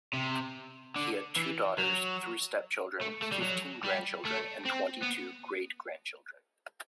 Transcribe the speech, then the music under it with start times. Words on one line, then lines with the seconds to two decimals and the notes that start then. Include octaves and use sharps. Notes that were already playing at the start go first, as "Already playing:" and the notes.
He had two daughters, three step-children, fifteen grandchildren, and twenty-two great-grandchildren.
0.13 C3
0.96 D3
1.37 E3
1.79 F#3
3.01 A3
3.22 A3
3.32 G3
3.42 F#3
3.84 G3
4.25 A3
4.65 C4
5.02 B3